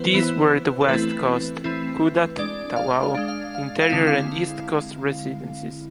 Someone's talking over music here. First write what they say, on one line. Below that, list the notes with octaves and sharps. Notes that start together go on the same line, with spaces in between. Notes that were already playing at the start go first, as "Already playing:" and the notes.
These were the West Coast, Kudat, Tawau, Interior and East Coast Residencies.
Already playing: E3 B3 E4 B4 C5
E3 B3 E4
A4
E3 A3 C4 E4 B4
E3 A3 C4 E4
G#3 D4 D5
F5
F5
G#3 D4
F5
F5
F5
D3 G#3 C4 E4
F5